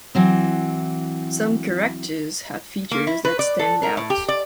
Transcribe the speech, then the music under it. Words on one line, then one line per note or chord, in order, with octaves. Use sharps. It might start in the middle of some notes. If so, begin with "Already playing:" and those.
Some characters have features that stand out.
E3 F#3 C4
A#3
E4
B4
D5
A4
A#4
A2
G4
D5